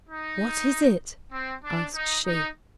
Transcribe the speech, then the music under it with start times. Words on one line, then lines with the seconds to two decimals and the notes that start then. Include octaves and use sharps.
'What is it?' asked she.
0.09 D#4
1.32 C4
1.64 D4
1.94 D#4
2.25 D#4